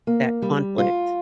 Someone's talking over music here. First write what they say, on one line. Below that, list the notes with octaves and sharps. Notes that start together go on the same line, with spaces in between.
that conflict.
A#3
G3
F4